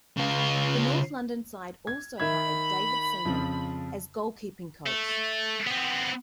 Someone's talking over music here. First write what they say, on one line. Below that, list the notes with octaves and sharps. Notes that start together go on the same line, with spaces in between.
The north London side also hired David Seaman as goalkeeping coach.
C#3 F4
G#6
D#3 E5 B5 G#6
F2 C#3 F3
A3
B3 C4